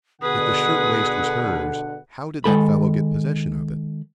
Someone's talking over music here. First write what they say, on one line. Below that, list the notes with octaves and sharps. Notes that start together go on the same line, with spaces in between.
If the shirtwaist was hers, how did that fellow get possession of it?
B2 D3 G#4 B4 F#5 D#6
D#3 G#3 A4 B5